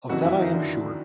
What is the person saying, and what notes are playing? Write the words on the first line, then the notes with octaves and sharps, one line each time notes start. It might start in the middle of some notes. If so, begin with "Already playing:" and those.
Of that I am sure.
F#1 F2 C3 E3 F#3 F#4
E3 E4
D#3 D#4
D3 D4